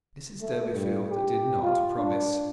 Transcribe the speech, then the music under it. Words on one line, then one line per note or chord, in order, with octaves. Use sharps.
Mrs Durbeyfield did not promise.
A3
G2
G4
F4
D4